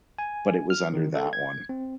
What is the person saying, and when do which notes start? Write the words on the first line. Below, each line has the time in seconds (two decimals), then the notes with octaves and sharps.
but it was under that one.
0.19 G#5
0.70 F6
0.94 D#3
1.15 A4
1.33 G#6
1.69 C4